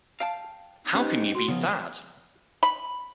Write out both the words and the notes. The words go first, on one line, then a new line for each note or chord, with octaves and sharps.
How can you beat that?
F5 G5 A5
C#4 D#4 G4 B4 C5
F#4 C6
C#3 F3 B3
B5